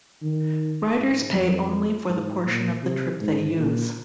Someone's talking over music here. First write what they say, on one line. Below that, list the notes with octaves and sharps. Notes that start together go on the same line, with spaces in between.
Riders pay only for the portion of the trip they use.
D#3
G#2
F2
G#2
A#2
C3
G#2
A#2